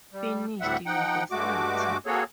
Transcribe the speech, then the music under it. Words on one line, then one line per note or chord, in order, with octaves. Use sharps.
Finished university.
G3
D2 A2 G3 C4 E5 F#5
F3 D#4 F#5 G5
G2 G#3 A3 F#4 D6
A#3 C4 F#4 G#4 A4 C#5